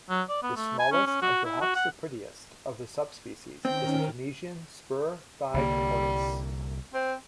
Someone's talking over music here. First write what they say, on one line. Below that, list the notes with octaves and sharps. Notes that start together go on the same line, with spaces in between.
The smallest, and perhaps the prettiest, of the subspecies is the Tunisian spur-thighed tortoise.
F#3
D5
B3
A3
G#5
C#4
C#4
F#4
E4
F#4
F#5
D#3 C4 C#4 A#4 G5
C2 D3 G3 A#3
C4